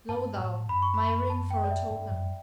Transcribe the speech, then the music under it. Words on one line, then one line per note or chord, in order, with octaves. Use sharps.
Lo thou, my ring for a token!
G2 A5
A2
F#2 B5
C#6
B5
A5
G5
D5
E5
G2
F#2